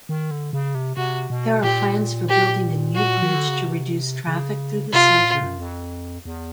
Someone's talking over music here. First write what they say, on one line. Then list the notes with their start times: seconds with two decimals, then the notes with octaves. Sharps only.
There are plans for building a new bridge to reduce traffic through the center.
0.09 D#3
0.31 D3
0.53 C#3
0.75 C3
0.96 C3 F#4
1.30 B2
1.63 A#2 G4
2.29 G4
2.95 F#4
3.23 D#3
3.35 D3
3.48 C#3
3.61 C3
4.27 C#3
4.92 C3 F4
5.10 B2
5.19 A2
5.26 A#2
5.43 F#2
5.59 F2
6.25 E2